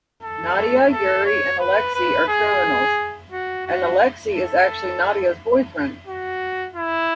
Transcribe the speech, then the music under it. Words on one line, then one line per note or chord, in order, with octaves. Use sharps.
Nadia, Yuri, and Alexei are criminals, and Alexei is actually Nadia's boyfriend.
A4
A4
C#5
B4
B4
G#4
F#4
F#4
A4
F#4
E4